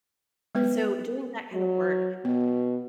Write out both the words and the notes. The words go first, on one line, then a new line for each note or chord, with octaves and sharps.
so, doing that kinda work
G#3 B3 B4
F#3
B2 B3